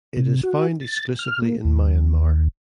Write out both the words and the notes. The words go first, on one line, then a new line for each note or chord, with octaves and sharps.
It is found exclusively in Myanmar.
C3
F#4
A6
F6
A#3
D#2